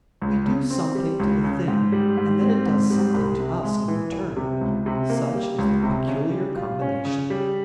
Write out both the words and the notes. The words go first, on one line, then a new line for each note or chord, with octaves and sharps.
We do something to the thing and then it does something to us in return: such is the peculiar combination.
C#2
C#3
C4
G3
C#2
C#3
G#2
G3
G#2
C4
G#2
G3
C2
C3
G#3
E3
C2
C3
C#2
C3
A#3
G3
C#2
C3
C#3
G3
F4
C#4
C#3
G3